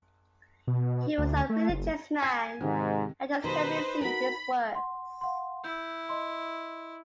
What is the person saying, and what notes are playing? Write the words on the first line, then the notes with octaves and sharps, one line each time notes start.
He was a religious man, and this can be seen in his works.
B2
D2
A3
F#1
G#5 G#6 B6
G#2 C3 D#3
B2 D#3 G3 D#4 B4 C5
F#4 A#4 B5
F#5 C6
F5 F#5 C6
E4 G6
D#5 C6